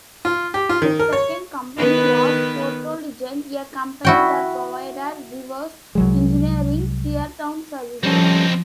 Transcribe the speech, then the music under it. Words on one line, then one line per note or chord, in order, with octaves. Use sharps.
The second company was Portelligent, a company that provided reverse engineering tear down services.
F4
G4
F4
D#3
A#4
C#5
D#3 B3 B4
E4 F#4 G5
C2 F#3 G#3
F3 G3 C4 C#4 D#4 A4